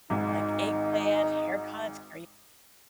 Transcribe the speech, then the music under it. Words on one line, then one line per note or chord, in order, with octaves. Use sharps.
like eggplant, haircuts, kara
G#1 G#2 D#4